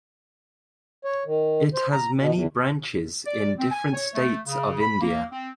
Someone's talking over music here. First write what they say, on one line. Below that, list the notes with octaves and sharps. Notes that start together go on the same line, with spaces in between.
It has many branches in different states of India.
C#5
D#3
C5
A#5
B2
E2
D5
C4
G#5
C#5
A3
C#3
B5
A#3
C4